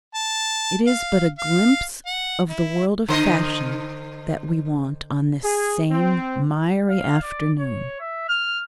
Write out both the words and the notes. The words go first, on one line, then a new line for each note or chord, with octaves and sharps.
It is but a glimpse of the world of fashion that we want on this same miry afternoon.
A5
F5
F5
F#5
E4
D3 C5 D#5
G#4
C4
F5
D5
C#5
E5
F6